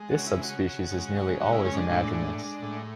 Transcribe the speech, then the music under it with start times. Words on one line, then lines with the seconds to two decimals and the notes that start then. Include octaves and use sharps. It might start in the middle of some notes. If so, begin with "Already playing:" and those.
This subspecies is nearly always anadromous.
Already playing: G#3
0.10 F#4
0.18 C#3
0.27 E4
0.43 C#3 F#4
0.68 C#3
0.91 G#3
1.17 C#3
1.40 G#3 F#4
1.52 E4
1.65 G#3 C#4
1.77 D4
1.89 A2 D4
2.14 G#3
2.38 G#3
2.62 A2